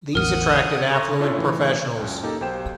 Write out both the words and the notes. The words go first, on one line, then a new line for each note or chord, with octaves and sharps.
These attracted affluent professionals.
A1 E2 A#4 F#5 D#6 F6
A4 A#5 C6 C#6 A#6
C#4 D4 E4 F4 A4 C#5
A2 E3
C#2 F#2
A#3 D#4 G4 A4
B1 G4 C5 G5 E7